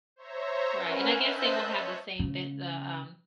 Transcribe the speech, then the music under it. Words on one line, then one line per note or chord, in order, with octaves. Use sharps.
Right, and I guess they will have the same ve the, um
C5 C#5 E5 A#5
C#4 A#4 B4 F#5 G#5
C5 D#5 E5 A5 F#6 G6
C#5
C#3